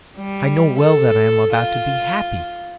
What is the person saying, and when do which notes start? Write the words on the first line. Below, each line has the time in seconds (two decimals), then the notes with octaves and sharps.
I know well that I am about to be happy.
0.18 G3
0.79 A4
1.54 F4